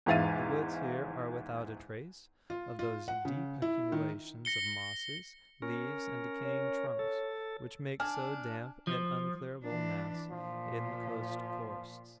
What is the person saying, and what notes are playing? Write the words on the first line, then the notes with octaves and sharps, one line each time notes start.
The woods here are without a trace of those deep accumulations of mosses, leaves, and decaying trunks which make so damp and unclearable mass in the coast forests.
E2 G#2 E5 F5 A6 D#7
F4
F4
F#5
C#3
E4
D#3
A#6 C#7 G7
C#4 A#4
C#5
A4
D4 G#5 F6
F3
E3 D4
A#2 F3